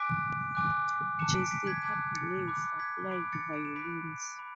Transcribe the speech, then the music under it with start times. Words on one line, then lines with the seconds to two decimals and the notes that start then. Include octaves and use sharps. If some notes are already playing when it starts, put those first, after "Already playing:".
Jessica Billey supplied violins.
Already playing: G#5 D6 F#6 B6 D7
0.55 G#5 D6 F#6
1.19 A5 D6 F#6 C#7 E7
1.35 B6 D7
1.51 B6 D7
1.67 G#6 B6
1.83 A5 D6 F#6 G#6 B6
2.15 A6 C#7
2.47 B5 D6 F#6
2.79 G#6 B6
3.11 B5 D6 F#6 B6 D7
3.32 A6 C#7
3.53 D7
3.65 E7
3.76 B5 F#6 B6 D7
4.39 B5